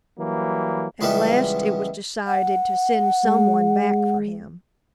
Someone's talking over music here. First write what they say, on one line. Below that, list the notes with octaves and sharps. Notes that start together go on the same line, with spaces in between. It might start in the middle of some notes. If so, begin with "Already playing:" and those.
At last it was decided to send some one back for him.
E3 F#3 G3 A#3
C#2 E3 G3 B3
F#5
G#3